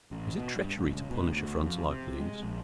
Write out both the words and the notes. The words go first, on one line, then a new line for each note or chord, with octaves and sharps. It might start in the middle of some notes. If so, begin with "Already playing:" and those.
Is it treachery to punish affronts like these?
A1
B2
G2
A1
C#2
B2
D2
F2
C3
G#3
A#1